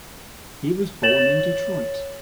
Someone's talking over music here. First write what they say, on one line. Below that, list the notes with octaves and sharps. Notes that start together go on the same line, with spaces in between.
He was born in Detroit.
C#5 A6 E7 F#7